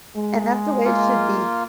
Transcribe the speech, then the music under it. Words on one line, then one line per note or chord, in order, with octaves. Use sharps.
And, that's the way it should be.
G#3
A#3 F4